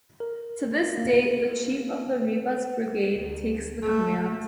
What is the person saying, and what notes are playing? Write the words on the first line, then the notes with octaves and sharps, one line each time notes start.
To this date, the chief of the Rivas brigade takes the command.
A#4
A#3
D2
A3